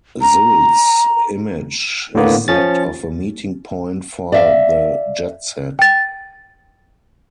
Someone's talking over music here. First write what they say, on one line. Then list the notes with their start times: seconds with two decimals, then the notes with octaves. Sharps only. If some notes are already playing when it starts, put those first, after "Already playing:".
Sylt's image is that of a meeting point for the jet-set.
0.21 A#5
2.15 A2 D3 A#3 B3
2.48 F3 C#4 A6
4.32 D5 E5 F5
5.79 G5 A6